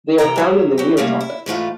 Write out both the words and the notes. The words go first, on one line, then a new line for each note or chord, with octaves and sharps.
They are found in the Neotropics.
C3 E3 G5 A#5
G2 F#3 G3
F#3 G4
C3 F3 G3 A3 A#3 C#4
E4
G#2 E3 A3 F4